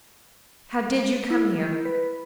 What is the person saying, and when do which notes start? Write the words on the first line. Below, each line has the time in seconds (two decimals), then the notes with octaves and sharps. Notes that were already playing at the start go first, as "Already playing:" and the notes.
How did you come here?
1.30 E4
1.85 B4